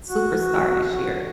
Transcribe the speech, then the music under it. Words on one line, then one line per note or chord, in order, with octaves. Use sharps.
superstar this year.
F#4